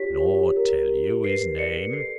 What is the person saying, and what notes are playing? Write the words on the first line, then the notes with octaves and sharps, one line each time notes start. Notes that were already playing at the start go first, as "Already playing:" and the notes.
"Nor tell you his name?"
Already playing: F4 G4 C#5 B6
G4
A#4
G4
B4 C7
D5 C#7
A4 C7